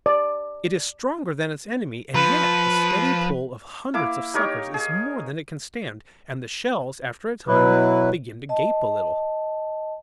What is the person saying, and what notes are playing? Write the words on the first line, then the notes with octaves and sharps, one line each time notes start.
It is stronger than its enemy, and yet the steady pull of hundreds of suckers is more than it can stand, and the shells, after a time, begin to gape a little.
D5
F3 B4
A#3 E4 D6
D#4 G4 A#4 C#5
G#4
B2 F#3 E4 B4
D#5 A5